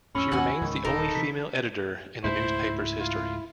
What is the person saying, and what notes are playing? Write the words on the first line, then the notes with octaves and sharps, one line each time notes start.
She remains the only female editor in the newspaper's history.
F2 A2 C#4 B5 C#6 E6
D#2 G#2 F#4 F#5 G#5
C#2 G#2 D#3
D#1 D#4 A4 A#4
C3 E3 B6
C#2 G#2 A3 E4 C5
F4